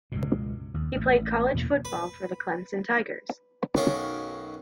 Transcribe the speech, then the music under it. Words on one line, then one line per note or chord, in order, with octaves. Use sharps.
He played college football for the Clemson Tigers.
C#2 G2 B2
D#2
A1
E2 B2 E3 A#3
B4
B1 F#2 D#3 C#4 A#4 F5